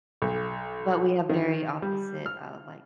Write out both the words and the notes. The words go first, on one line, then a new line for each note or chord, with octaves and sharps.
but we have very opposite, uh, like,
B1
D#3
G3
F6